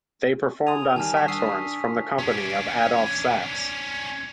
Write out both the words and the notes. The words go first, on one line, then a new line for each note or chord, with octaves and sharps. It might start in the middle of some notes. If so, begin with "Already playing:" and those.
They performed on Saxhorns from the company of Adolph Sax.
G#5 D#6 F7
D#3 G3 G#5 A5 F6
A5 C#6 B6
D4 D#6 E6 B6 C7
C#4 D4